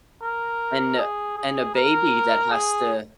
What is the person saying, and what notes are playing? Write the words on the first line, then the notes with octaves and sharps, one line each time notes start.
And a and a baby that has to
A#4
G#4
G#4
A#4
G#4